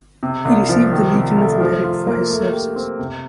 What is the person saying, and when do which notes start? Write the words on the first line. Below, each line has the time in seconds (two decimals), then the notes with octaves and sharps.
He received the Legion of Merit for his services.
0.23 C3
0.45 C2
0.69 F3
0.92 D#3
1.14 C3
1.38 A3
1.61 F3
1.84 F4
2.07 A#3
2.30 A3
2.53 G4
2.76 C4
2.99 C3